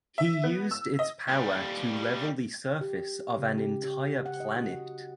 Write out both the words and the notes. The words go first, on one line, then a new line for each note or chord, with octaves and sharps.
He used its power to level the surface of an entire planet.
E5
B3
E6
D#5
D#2 G3
G4
C#3
G4
G4
F#5
D#5
F#4